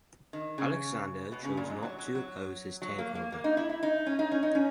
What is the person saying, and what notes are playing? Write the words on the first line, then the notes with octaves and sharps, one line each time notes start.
Alexander chose not to oppose his takeover.
D#3
C#3
B2
C#3
A#2
G#2
F#3
F#3
F#3
F#3
A#3
A#3
A#3
D#4
E4
E4
D#4
C#4
D#4
C#4
D#4
C#4